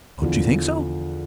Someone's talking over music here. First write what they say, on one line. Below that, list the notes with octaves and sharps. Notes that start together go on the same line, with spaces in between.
"Don't you think so?"
E2 D3 F3